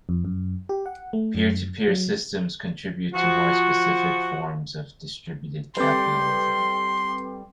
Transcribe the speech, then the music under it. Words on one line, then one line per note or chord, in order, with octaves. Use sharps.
Peer-to-peer systems contribute to more specific forms of distributed capitalism.
F2
F#2
G4
F#5
A3
F#2
F#3
F3 F#4
G3 C4 G4 A4 B4 C6